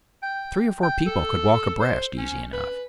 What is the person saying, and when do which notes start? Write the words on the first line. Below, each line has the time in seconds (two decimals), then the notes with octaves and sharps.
Three or four people could walk abreast easy enough.
0.22 G5
0.83 G5
1.06 A4
1.80 C5
2.18 C#4
2.53 B4